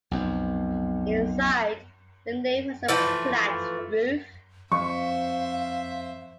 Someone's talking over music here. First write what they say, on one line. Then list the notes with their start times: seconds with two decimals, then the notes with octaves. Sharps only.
Inside, the nave has a flat roof.
0.11 B1 F2
2.88 E3 F3 A3
4.72 F2 C5 E5 F5 C#6